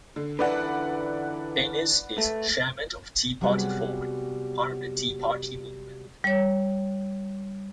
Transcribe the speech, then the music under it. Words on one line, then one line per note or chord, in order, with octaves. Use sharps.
Innis is chairman of Tea Party Forward, part of the Tea Party movement.
D3
D3 E3 B4 D5 F#5
A3
C3 F#3 G3 B3 F#4 G#4
G3 C#5